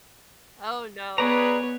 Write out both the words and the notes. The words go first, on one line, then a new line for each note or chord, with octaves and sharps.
Oh no.
B3 G#4 B4 C#5 D5 A#5